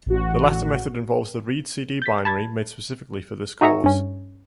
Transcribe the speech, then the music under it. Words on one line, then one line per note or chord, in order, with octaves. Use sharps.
The latter method involves the readcd binary, made specifically for this cause.
A1 F#4
G6 A6 B6
A5 B5 G#6 A6
D#4 F#4 G#4 E5 A#5 C#6
G2 C#4